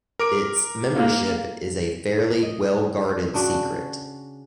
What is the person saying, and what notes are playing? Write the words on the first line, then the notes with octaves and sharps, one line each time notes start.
Its membership is a fairly well-guarded secret.
A#4 D6 D7
A#3
D#5
C#3 D4 F#4